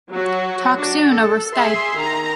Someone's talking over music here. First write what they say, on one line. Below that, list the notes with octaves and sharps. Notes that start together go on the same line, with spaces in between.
Talk soon over Skype.
F#3 F#4
D4 F#4
A4
G#4 E5 C6
D#3 A#5